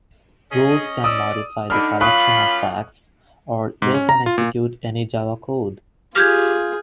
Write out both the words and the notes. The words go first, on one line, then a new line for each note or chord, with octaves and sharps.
Rules can modify the collection of facts, or they can execute any Java code.
C#4 G#4 D#5
D5 D#6 E6
D3 D4 D#4 B5 F6
F#2 C#4 F4 B5 C#6 D#6 F#6
G#2
C#4
A#5
F4
A#2
F4 G4 G#4 F6 G6 G#6